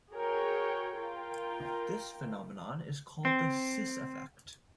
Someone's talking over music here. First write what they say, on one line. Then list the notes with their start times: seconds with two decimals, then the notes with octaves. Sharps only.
This phenomenon is called the "cis effect".
0.11 F#4 G#4 A#4 C#5 G5
0.95 F4 A#4 G5
3.25 C4